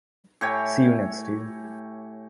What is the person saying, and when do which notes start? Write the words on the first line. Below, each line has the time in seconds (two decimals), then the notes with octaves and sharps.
See you next year.
0.41 A2 G4 C#5 G#5